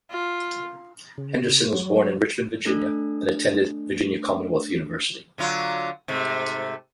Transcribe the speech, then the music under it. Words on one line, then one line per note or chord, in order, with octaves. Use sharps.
Henderson was born in Richmond, Virginia and attended Virginia Commonwealth University.
F4
C#3
F#3
A3 D4 A4
D3 F#3 F4
G#2 C3 A3